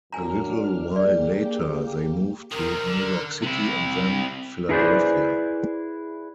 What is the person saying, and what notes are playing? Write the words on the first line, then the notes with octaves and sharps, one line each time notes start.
A little while later, they moved to New York City and then Philadelphia.
F#2 D4 G#5 A#5 F6
A#3 G4 G#4 D5
C3 D#3 A#4
D3
C3 E4
D#4 E4 G#4 B4 C5 D5